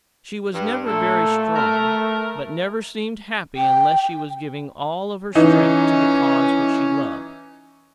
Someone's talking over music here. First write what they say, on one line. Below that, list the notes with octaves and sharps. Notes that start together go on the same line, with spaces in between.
She was never very strong, but never seemed happy unless she was giving all of her strength to the cause which she loved.
G2
A#2 A3 A4
A#4
G5
E3 C#4 D#4